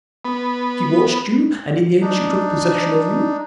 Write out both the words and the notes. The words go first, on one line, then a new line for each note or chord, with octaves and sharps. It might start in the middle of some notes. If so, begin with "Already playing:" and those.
She watched you, and in the end she took possession of you?
B3
D4 D#4